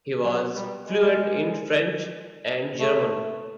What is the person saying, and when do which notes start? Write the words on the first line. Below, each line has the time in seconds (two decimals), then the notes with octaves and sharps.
He was fluent in French and German.
0.25 F#3
0.56 G3
0.88 G#3
2.80 A3